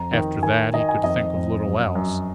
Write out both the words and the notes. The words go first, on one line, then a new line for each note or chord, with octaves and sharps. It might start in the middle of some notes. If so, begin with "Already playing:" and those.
After that he could think of little else.
Already playing: F2 A#5
D#3
D#3 G#5
D#3 D#5
G#5
F2 D#5
F2
F#2
F#2